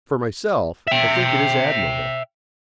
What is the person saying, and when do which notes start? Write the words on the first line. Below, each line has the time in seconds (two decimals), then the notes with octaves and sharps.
For myself, I think it is admirable.
0.88 E5 G5